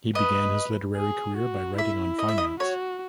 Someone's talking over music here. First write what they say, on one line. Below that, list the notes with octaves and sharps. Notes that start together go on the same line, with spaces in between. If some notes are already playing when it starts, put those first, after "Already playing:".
He began his literary career by writing on finance.
B4 D#5
G#4
F#4
E4 E5
D#5
E5
D#5
F#4 C#5